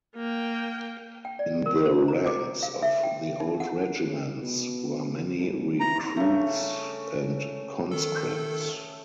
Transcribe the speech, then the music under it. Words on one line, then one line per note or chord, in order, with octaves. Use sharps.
In the ranks of the old regiments were many recruits and conscripts.
A#3 G5
G5
D5
A#4
C5
A#5
D6
F5
E5
G5
D#4
F#5
C#3
B2
C2
E3 A#5
C#3 A3
D#3 A4